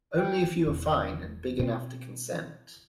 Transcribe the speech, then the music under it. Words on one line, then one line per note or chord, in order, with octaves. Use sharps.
Only if you are fine and big enough to consent.
G5
E1
B2 C4